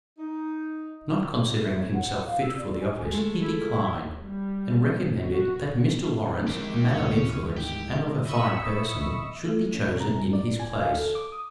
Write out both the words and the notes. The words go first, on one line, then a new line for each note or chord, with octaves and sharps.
Not considering himself fit for the office, he declined; and recommended that Mr. Lawrence, a man of influence and of a fine person, should be chosen in his place.
D#4
E5
C#5
F#5
F#5
F5
E6
D5
G#5
G#3 A3 A4
E4
G3
F#4
D#3 G#3 E4
F3 F#3 A#3 C4 G4
G1 D2 G#2 C#4
G4
D#5 E5 B5 C#6 E6
A3
A3
C#4
C3
A#5
G2
D5
G#5
F5
A4
D6
D#6